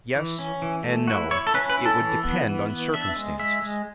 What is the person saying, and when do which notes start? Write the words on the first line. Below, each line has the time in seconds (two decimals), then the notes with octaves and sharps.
"Yes and no--it would depend on circumstances."
0.15 E3
0.39 C#4
0.62 E3
0.84 A3
1.08 E4 F#4
1.31 E4 C#5
1.47 A4
1.54 C#4 B4
1.70 B4
1.78 E4
1.86 A4
2.01 E3
2.23 B3
2.47 E3
2.70 B3
2.93 D4 E5
3.16 G#3
3.39 G#3 E5
3.62 G#3